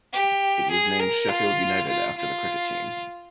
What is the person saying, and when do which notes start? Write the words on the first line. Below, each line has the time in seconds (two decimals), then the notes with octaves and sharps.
It was named Sheffield United after the cricket team.
0.13 G4
0.71 G#4
0.99 A#4
1.28 F4
1.88 F4
2.17 F4